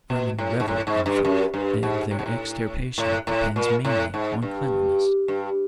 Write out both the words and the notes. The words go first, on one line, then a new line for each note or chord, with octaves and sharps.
Vermin revel in filth, and their extirpation depends mainly on cleanliness.
B2
A2
G#2
A2
G#2
G2
F#2
G2
G#2
A2
G#2
A2
A2
A2
A#2
A2
G#2
G2
G2